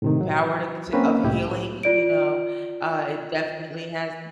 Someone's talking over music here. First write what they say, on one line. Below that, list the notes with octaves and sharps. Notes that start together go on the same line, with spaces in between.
power to to of healing, you know? Uh, it definitely has
A2 C3 D#3
F#3
A#3 C4 C#4 B4
C2 A2 E4 G4
F4 D5 D7